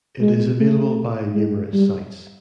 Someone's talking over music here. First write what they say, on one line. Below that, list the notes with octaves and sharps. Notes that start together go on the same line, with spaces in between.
It is available via numerous sites.
G#3
A3
G#3
G3